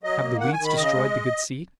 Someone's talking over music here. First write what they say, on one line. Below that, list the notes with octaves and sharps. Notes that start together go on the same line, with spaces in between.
"Have the weeds destroyed the good seed?"
F#3 D#5
A#3
D#3 F#5
G#5
D#3
B5
C#3 D#5
G#3